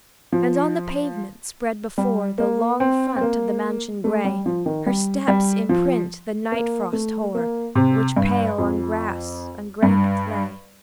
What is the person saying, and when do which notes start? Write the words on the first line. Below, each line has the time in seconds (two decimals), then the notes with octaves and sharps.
And on the pavement spread before The long front of the mansion grey, Her steps imprint the night-frost hoar, Which pale on grass and granite lay.
0.32 F3
1.98 G3
2.38 A#3
2.80 C4
3.16 C4
3.21 A#3
4.04 A3
4.25 G3
4.46 F3
4.66 D#3
4.86 G3
5.28 G3
5.69 F3
6.52 A#3
6.93 A3
7.35 A#3
7.75 C3
8.17 G2
8.58 F2
9.83 G2